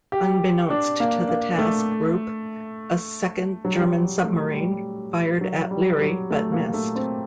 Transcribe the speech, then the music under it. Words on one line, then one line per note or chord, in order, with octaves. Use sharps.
Unbeknownst to the task group, a second German submarine, fired at "Leary" but missed.
G4
D4
A#3
A#3
A3
F#3
G3
F#3
A3
G3
F#3
G3
F#3
A3
A#3
A3
C4